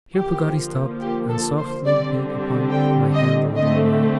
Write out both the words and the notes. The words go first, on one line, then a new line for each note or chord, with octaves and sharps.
Here Peggotty stopped, and softly beat upon my hand a little while.
D3 F3 A#3 G4
G4
A4
C5
D3 G3 C4 D5
G5
D#5
D3 A3 C4 D#5